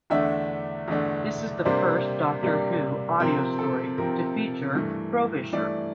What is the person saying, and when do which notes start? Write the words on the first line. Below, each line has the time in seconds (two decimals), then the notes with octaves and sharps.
This is the first "Doctor Who" audio story to feature Frobisher.
0.10 E2 D3 A3 D4 E5
0.88 E2 D3 A3 D4
1.65 C3 G3 A#3 D4 C5
2.43 C3 G3 A#3 D4
3.20 C3 F3 C4 A#4
3.59 A4
3.98 C3 F3 C4 A#4
4.75 G2 E3 A3
5.53 G2 E3 A3 D5